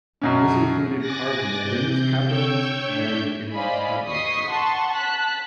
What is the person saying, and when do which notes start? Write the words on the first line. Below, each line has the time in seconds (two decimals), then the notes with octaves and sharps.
This included carved mouldings, capitals, and entablature.
0.22 F#2 B2 C#4
0.99 G#5 D6 F#6 A6 A#6
1.61 C3 G6
2.27 C#5 G5 C#6 E6 G6
2.85 A2 D4 C#5 E5 G6
3.53 C5 D5 D#5 F5 G#5 B5
4.07 D#5 C#6 D#6 B6 C7
4.51 F#5 A5 C6 C#6
4.93 A5 F#6 B6